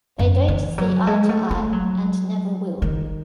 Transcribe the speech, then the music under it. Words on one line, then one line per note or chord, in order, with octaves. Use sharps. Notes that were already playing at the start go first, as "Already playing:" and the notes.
They don't see eye-to-eye and never will.
F#2
E3
F#3
G#3
A3
A3
F#3
D#3